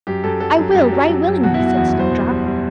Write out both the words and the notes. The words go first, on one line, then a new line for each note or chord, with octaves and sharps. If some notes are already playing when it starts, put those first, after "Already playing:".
"I will, right willingly," said Snowdrop.
F#2 G4
F#2 A4
F#3 A4
F#2
F#2 G4
F#3
F#3
F#2
B2 F#4
E4
B2
F#4
E2 F#4
E2 E4
C5
B2
G3
G3